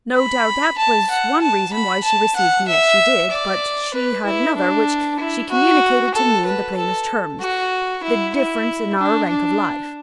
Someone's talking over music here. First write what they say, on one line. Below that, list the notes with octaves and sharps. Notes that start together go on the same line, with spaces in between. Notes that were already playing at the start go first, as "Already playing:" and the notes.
"No doubt that was one reason why she received me as she did; but she had another, which she communicated to me in the plainest terms--the difference in our rank of life."
B5
A5
F#5
A5
B5
A5
F#5
E5
D5
B4
E4
D4
E4
F#4
A4
B4
A4
F#4
E4
E4
D4
D4